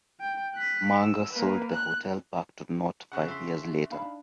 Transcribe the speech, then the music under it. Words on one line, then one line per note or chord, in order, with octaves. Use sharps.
Manger sold the hotel back to Knott five years later.
G5
F#6 B6
E6
A#3 B4
F#6
C#3 F#5
E5 C6
D4 D#4 F5 B5